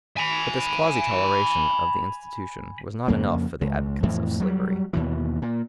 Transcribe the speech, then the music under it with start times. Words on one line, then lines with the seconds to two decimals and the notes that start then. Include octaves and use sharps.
But this quasi-toleration of the institution was not enough for the advocates of slavery.
0.17 G#5 B5
3.08 F2 C#3 A#3
3.61 C#2
4.03 F2 A2 E3
4.40 F#3 G3
4.93 D#2 B2 E3
5.42 A#2